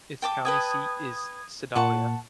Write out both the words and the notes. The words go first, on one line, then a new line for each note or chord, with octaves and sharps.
Its county seat is Sedalia.
G5 A5 D6
B4 G5 A5 D#6 G#6
A#2 F#5 A5 C#6